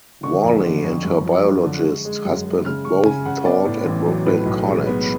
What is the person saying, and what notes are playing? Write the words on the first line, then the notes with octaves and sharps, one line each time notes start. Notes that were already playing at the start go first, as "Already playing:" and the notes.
Worley and her biologist husband both taught at Brooklyn College.
D3 C#6
F2
D3
F2
F#2
F3
F#2
D3
G#3
G#3
F#2
G#3
C#3 F6
C#3 C#6
C#3 G#5
C#3 F#5
B3 D5
A2
A1
F#3
A2 B4
B1
G#3
B3